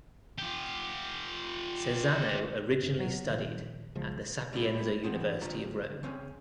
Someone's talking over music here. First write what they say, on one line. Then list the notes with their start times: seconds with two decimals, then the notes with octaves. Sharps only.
Cesano originally studied at the Sapienza University of Rome.
0.38 F4 G4
2.83 G2 C#3
2.99 F#3
3.27 D1 A#2 D#3 F3
3.95 B1 C#3 F3 G#3
4.53 G3 G#3 A#3 C4 E4
5.04 E3 B3 C4 D#4
5.41 D2 F4 G4 C5 A#5
6.03 C#3 C4 C#4